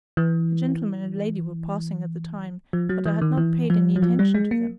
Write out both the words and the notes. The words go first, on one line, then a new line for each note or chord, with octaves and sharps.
A gentleman and lady were passing at the time, but I had not paid any attention to them.
E3
F3
F#3
E3
D#3
E3
F3
F#3
F3
G3
G#3
A#3